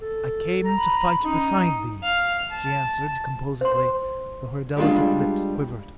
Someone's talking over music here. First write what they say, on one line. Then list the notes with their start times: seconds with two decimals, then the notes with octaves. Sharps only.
"I came to fight beside thee," she answered composedly, though her delicate lips quivered.
0.01 A4
0.65 A#5
0.77 B5
1.23 C#4 D#4
2.03 F5
2.51 A5
3.61 C5 C6
4.77 G3 G#3 D4 F4